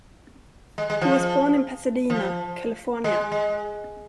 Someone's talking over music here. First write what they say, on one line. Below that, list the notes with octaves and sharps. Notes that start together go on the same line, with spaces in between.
He was born in Pasadena, California.
G#3
G#3
F3
F3
G#3
G#3